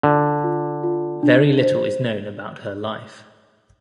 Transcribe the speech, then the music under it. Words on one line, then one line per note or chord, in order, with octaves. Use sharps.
Very little is known about her life.
D3 F4
F4
F4
D4
C5